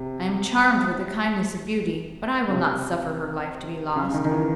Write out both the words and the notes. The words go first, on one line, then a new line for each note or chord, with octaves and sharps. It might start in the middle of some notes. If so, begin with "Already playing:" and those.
I am charmed with the kindness of Beauty, but I will not suffer her life to be lost.
Already playing: C3
C#3
C3
C#3
C#3
D#3
D#3
E3